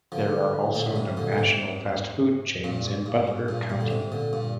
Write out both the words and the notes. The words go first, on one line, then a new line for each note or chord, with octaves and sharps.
There are also no national fast food chains in Butler county.
D3 F3
A#2 D3
G#2 C3
A#2 D3
D3
G#2 C3
G2 A#2
G#2
G2
G#2
G2 A#2
G2 A#2
D3
G#2 C3
A#2 D3
G2 A#2